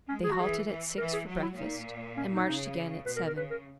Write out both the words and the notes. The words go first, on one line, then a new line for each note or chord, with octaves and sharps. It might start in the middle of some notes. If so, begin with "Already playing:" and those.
They halted at six for breakfast and marched again at seven.
G#3 C#4
G#4
F#4
E3 G#4
E3
E3 A#4
G#4
F#3
E4
A#2 D#4
C#4
D#4
C#3
B2 B4
A#4
A#4
C#3 B4
A#4